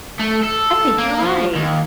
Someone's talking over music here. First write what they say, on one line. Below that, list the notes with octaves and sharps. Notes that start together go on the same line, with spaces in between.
I think you're right.
A3
A4
A#3
F3
D#2